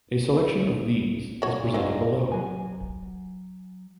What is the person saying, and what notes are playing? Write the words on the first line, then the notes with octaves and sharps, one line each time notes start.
A selection of these is presented below.
A#2 F#4 C#5
F#3 F4 A#4 D#5
F#3 G#5